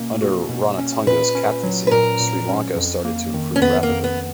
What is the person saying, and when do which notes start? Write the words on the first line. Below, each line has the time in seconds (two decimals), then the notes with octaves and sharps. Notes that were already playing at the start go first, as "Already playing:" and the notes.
Under Ranatunga's captaincy, Sri Lanka started to improve rapidly.
Already playing: B2 A#3 C#4
0.22 F#4
0.49 B2
0.78 C#4
1.07 A#2 B4
1.35 C#4
1.63 F#3
1.87 B4
1.91 A#2 A#4
2.20 A#2
2.49 C#4
2.76 F2
3.05 A#3
3.34 D#3
3.56 C#4
3.61 F2 B3
3.83 A#3
3.89 F2
4.04 B3